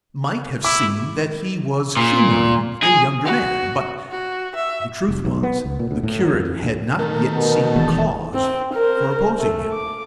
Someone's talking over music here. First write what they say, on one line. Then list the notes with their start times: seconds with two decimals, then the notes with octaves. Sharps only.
It might have seemed that he was humouring a younger man, but the truth was, the curate had not yet seen cause for opposing him.
0.65 E4 D6
1.97 A#2
2.83 G#4
3.24 F#4
4.11 F#4
4.55 E5
5.09 F1
5.25 B1
5.43 B3
5.65 C#2
5.79 A#2
5.91 D2
6.03 A2
6.21 F#3
6.34 F2
6.62 D2
6.99 D#3 A3 A#4
7.34 B2
7.76 E1 E2 A5
8.34 C4
8.74 A#4 C5
9.39 A3
9.72 D6